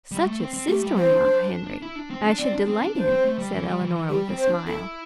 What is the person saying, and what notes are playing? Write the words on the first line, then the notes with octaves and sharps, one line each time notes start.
"Such a sister-in-law, Henry, I should delight in," said Eleanor with a smile.
G3
A3
C4
C4
A3 G4
G3
C4 C5
E4
D4
D4
E4
D4
C4
D4
C4 D5
D4
C4
D4
D4 C5
C4
A3
G3
E3
G3
E3
E3
G3 G4
C4
C5
D4
E4 A4